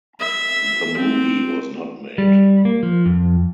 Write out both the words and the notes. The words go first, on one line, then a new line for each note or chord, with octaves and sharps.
The movie was not made.
E5
C4
G3
A#3
F3
F2